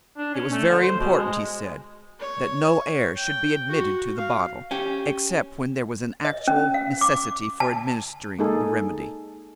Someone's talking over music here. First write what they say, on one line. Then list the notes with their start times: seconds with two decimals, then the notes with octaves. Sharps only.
It was very important, he said, that no air should be admitted to the bottle, except when there was an actual necessity for administering the remedy.
0.17 D4
0.34 C#4
0.53 A3
0.69 D3
0.82 C5
1.00 B2
1.17 G#3
2.20 C#5
3.15 G5
3.68 F#4
4.17 F5
4.71 C#4 G4
6.25 D#5
6.48 C#4
6.74 F5
7.01 D6
7.60 A5
8.39 G#3 A#3 D#4 G#4 A4